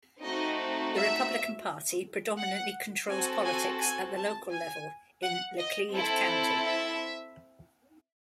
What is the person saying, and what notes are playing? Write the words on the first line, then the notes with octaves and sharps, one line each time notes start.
The Republican Party predominantly controls politics at the local level in Laclede County.
A3 C4 D#4 F#4 D#5
E5
F#5
C4 F#4 A4 G#5
G#5
G#5
A5
G#5
F#5
D#5
C4 E4 A4
E5